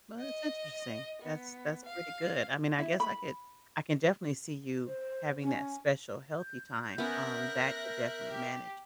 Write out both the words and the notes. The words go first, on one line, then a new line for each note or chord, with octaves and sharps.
Well, that's interesting. That's that's pretty good. I mean, I guess I could I can definitely see you having that special healthy time, um, that could definitely manage,
D#5
B3
F5
E4
B5
C5
C#4
G6
B3 C#4 A#4 E5 F#6 A#6
G4